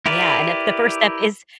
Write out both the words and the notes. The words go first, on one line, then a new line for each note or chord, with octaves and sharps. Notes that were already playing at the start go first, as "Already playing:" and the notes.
Yeah, and if the first step is
E4 G4 A#4 B4 D5